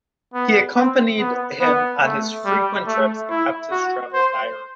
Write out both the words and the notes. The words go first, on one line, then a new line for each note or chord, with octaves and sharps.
He accompanied him on his frequent trips and kept his travel diary.
B3
C4
B3
B3
A3
G3
A3
E4
F#4
C5